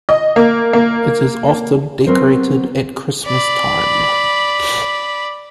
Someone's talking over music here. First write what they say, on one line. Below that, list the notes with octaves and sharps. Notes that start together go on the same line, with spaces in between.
It is often decorated at Christmas time.
D#5
A#3
A#3
F#3 B3 C4 A#4 C5
D5 B5